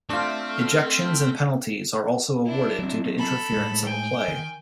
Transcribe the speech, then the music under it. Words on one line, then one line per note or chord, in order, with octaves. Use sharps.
Ejections and penalties are also awarded due to interference of a play.
A3 C4 D4 F4 F6 B6
D4 E4
F#3 C4
A4 B5
A2 G#3
G5 G#5
D#3